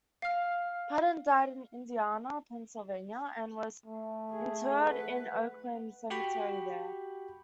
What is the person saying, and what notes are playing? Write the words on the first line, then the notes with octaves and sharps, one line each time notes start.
Patton died in Indiana, Pennsylvania and was interred in Oakland Cemetery there.
F5 F6
A3
G#4
B4 F#5
F#4 G4 G5 B5